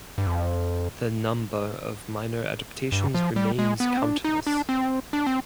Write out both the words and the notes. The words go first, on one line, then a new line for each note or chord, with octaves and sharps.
The number of minor adaptations remains countless.
G2
F2
G2
F3
G3
G#3
B3
C4
D4
D#4
D4
C4
D4
C4